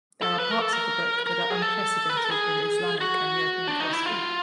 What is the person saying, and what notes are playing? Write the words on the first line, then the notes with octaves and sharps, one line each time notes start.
There are parts of the book that are unprecedented in Islamic and European philosophy.
A4
B4
A#4
A4
A#4
A#4
G#4
A4
B4
A#4
A4
G#4
F#4
D4
D#4
E4
F4